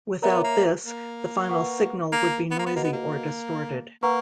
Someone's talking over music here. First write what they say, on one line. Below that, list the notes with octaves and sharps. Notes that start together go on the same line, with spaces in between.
Without this, the final signal would be noisy or distorted.
B3 A#4 C#5 E5 A#5
A#3
A#3
B4 F#5 C#6
A#3
B3
A#3
B3
A#3 F#4 B4 D#5 F#5
B3
A#3
A#3 B4 F#5 A#5 C#6